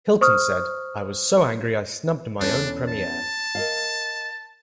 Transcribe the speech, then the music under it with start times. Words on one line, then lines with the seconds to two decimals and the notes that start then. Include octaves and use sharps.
Hilton said, I was so angry I snubbed my own premiere.
0.21 C5 C#6 D#6 F6
2.40 E2 C#4 D4 A4
2.88 A5
3.55 A#4 D#5 F5